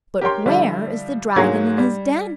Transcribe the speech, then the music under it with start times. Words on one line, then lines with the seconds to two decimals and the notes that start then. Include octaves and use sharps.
But where is the Dragon in his den?
0.21 G4 A#4 C#5 G5 C6
0.46 D3 F3 G3 D4 E4
1.36 G#2 F#3 A#3 G#4 C#5 G#6
1.78 G3